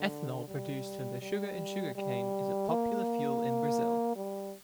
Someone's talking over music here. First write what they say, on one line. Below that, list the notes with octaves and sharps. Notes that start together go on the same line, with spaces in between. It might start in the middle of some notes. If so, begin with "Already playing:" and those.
Ethanol produced from the sugar in sugarcane is a popular fuel in Brazil.
Already playing: D3
G3
G3
G3
A#3
G3